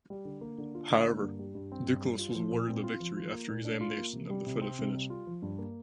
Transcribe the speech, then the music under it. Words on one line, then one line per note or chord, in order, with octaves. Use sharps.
However, Duclos was awarded the victory after examination of the photo finish.
G3
D3
A#3
D3
F4
D3
A#3
G2
G3
G2
C4
G2
G3
F4
F3
A#2
C4
F4
F3
F4
A#3
A#2
D4
F4
A#3
C3
G3
C3
C4
C3
G3
F4
F3
G2
A#3